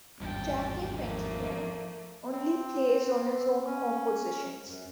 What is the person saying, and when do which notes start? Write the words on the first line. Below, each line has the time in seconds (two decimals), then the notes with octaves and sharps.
Jackie McLean only plays on his own compositions.
0.20 G#1 E2 G2 G5 A5
0.96 F3 A3 A#3
2.32 C4
3.66 C#4
4.67 F#2